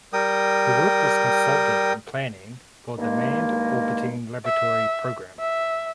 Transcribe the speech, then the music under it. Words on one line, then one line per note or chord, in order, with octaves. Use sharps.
Her work was consulted in planning for the Manned Orbiting Laboratory Program.
G3 A#4 G5 D#6
G2 D#3 G#3 A#3
E5
E5